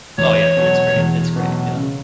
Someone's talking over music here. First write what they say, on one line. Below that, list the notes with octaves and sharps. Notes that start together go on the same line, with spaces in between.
Oh, yeah, it's great, it's great, yeah.
E2 C#5
B2 F#3
E2
B2 F#3
C#3